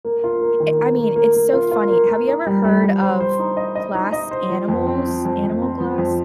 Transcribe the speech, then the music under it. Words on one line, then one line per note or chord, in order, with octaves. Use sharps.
I I mean, it's so funny. Have you ever heard of Glass Animals? Animal Glass?
A#3
F4
A#3
D#3
A#3
A#3
A#3
A#3
F4
F4
A#3
A#4
D#4
G3
G3
G3
C5
C5
D#4
D#5
D#5
D#4
D#5
C5
F3
F2
C4
F3
F2
F2
C4
F3
F2